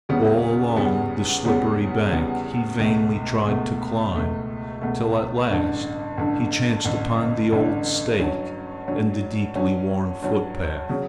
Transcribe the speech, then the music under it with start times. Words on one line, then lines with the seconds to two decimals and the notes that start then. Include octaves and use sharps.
All along the slippery bank he vainly tried to climb, till at last he chanced upon the old stake and the deeply worn footpath.
0.09 E2 C#3 G3 B3
0.77 E2 C#3 G3 B3
1.45 E2 C#3 G3 B3
2.12 E2 C#3 G3 B3
2.80 C#2 B2 A3
3.47 C#2 B2 A3
4.15 C#2 B2 A3
4.82 C#2 B2 A3
5.50 A1 G2 D3
6.18 A1 G2 D3
6.85 A1 G2 D3
7.52 A1 G2 D3
8.19 G2 F#3 C#4
8.88 G2 F#3 C#4
9.55 G2 F#3 C#4
10.22 G2 F#3 C#4
10.89 C#3 F#3